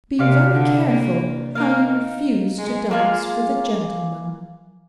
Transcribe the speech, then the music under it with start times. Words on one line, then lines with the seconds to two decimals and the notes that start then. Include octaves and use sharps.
Be very careful how you refuse to dance with a gentleman.
0.19 C3 D4 G4 A#4 F5
0.53 D3
0.87 A#3
1.55 A#3 D#4 A#4 F5
2.58 G#3
2.91 G#3 A#3 F4 G#4